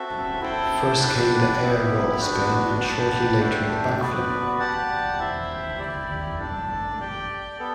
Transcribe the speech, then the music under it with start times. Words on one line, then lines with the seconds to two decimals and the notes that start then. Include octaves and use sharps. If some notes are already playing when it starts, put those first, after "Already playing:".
First came the Air Roll Spin and shortly later the Blackflip.
Already playing: C4 F#4 A4 E5
0.41 E4 A4 C5 G5
1.00 D4 G4 B4 D5 F#5
1.61 B3 E4 G4
2.21 B3 D4 F#4 B4
2.80 G4 B4 F#5 A5
3.39 A3 D4 G4
3.99 B3 F#4 B4 D5
4.59 G4 D5 F#5 A5
5.19 E4 G4 C5 E5
5.79 E4 G4 D5
6.38 D4 A4 D5 A5
6.99 G4 D5 G5
7.59 B3 A4